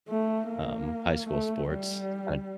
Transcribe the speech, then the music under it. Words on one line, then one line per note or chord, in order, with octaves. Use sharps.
um, high school sports and
A3
A#3
A3
G3